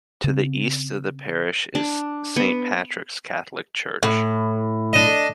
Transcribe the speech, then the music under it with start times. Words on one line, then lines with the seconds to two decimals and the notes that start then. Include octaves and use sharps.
To the east of the parish is Saint Patrick's Catholic Church.
0.24 C#3 C4
1.75 D4
2.36 B3
4.03 A2
4.93 D4 D#5